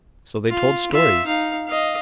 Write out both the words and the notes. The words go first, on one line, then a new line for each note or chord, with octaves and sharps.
So they told stories.
F4
F4 E5
D#4 F5
D#5 F5